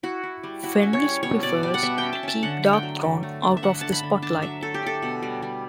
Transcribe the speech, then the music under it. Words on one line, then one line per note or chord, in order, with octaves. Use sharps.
Fenriz prefers to keep Darkthrone out of the spotlight.
E4 F#4
E4
G3
E4 F#4
C#4
C#5
G3
B2 C#5
B2 D5
G3 D5
F#5
B2 E5
G5
C#4
A5
C#4 A5
D3 F#5
A3
G5
F#3
D3
A3
D4
E5
D3 F#5
D3 A5
B5
D3
D4 A5
F#3 E5
A3 A4
G4
D4 A4
B2
G3
G3